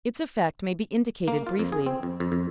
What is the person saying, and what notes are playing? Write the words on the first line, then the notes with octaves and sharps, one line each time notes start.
Its effect may be indicated briefly.
A#3
F4
F2
G#4
C4
F2
F2
F2